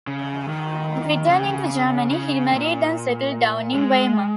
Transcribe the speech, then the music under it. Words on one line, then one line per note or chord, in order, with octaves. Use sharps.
Returning to Germany, he married and settled down in Weimar.
C#3
D#3
C#3
C#3
A#2
G#3